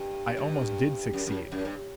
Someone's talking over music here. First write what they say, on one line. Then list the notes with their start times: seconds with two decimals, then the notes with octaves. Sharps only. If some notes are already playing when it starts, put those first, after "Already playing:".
I almost did succeed.
Already playing: G2
0.37 G2
1.13 F#2
1.27 F#2
1.52 F#2
1.65 G2